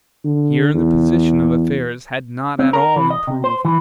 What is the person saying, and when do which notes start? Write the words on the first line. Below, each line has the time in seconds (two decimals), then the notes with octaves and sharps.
Here the position of affairs had not at all improved.
0.24 D3
0.74 E2
2.59 C4
2.73 A#4
2.96 E3
3.10 D#5
3.27 C3
3.44 C5
3.65 E3